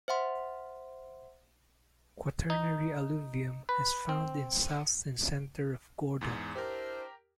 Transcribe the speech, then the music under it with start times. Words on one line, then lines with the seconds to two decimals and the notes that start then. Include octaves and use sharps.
Quaternary alluvium is found in south and center of Gordon.
0.08 C5 E5 F#5 C6
2.50 D#4
3.69 B4
4.09 C4
6.21 E2 G#2
6.56 D4 E4 G4 A#4 C5